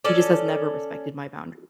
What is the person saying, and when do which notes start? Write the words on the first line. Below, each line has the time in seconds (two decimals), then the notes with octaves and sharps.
he just has never respected my boundaries.
0.05 C#4 A4 D5